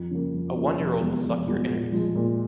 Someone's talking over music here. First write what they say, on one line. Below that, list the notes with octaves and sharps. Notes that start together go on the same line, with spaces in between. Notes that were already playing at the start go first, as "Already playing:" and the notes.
A one-year old will suck your innards.
Already playing: F2
C#3 F3 A#3
F2
C#3 F3 A#3
F1
E2 B2 G#3 B3
F1
E2 B2 G#3 B3
A#2
F3 G#3
A#2